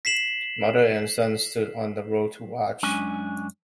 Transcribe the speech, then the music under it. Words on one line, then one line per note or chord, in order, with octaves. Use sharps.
Mother and son stood on the road to watch.
B6 C7 E7 F#7
F#2 G#3 C#4 D4 G#5